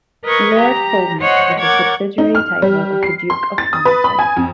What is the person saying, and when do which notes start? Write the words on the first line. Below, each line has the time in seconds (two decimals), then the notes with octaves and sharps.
Lord Polmont is a subsidiary title of the Duke of Hamilton.
0.23 A#4 B4 D#5 C#6 G#6
0.57 G4 A#5
1.19 C5 C#5 D#5 F#5
1.61 A#4 C#5 F#5 D6 G#6 A6
2.18 D#4
2.35 F6
2.62 G3
3.03 C7
3.30 C6
3.58 A6
3.73 D#6
3.85 B4
4.04 B5
4.19 G#5
4.37 F2